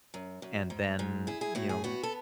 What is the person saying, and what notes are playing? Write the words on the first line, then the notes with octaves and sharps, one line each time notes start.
and then, you know,
F#2
F#2
G#2
G#2
E4 G#4
G#4
A2 F#4
G#4
B3 F#4
A4